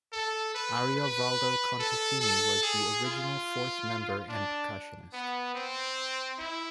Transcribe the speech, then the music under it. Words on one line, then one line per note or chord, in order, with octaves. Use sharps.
Ariovaldo Contesini was the original fourth member and percussionist.
A4
B4
B4
A4
A4
G#4
F4
D4
B3
C4
E4